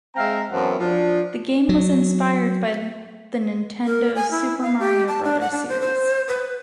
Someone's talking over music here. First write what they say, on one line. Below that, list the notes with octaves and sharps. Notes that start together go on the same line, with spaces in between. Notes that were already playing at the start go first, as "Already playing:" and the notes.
The game was inspired by the Nintendo's "Super Mario Brothers" series.
G#3 C4 E5 F5 G5 A#5
F#2 E3 B3 C4 F#5 A5
F3 D4
F#3
A#4
G#5
E4
F5
G4
A5
D4
F#5
D4
C5
C5
B4